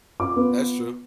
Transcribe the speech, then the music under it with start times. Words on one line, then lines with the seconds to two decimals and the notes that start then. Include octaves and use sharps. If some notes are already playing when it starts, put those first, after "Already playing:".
That's true.
0.20 F4 D6
0.36 B3